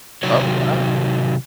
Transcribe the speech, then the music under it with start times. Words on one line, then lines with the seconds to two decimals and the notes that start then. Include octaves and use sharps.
Oh wow,
0.23 C3 D#3 F#3 C#5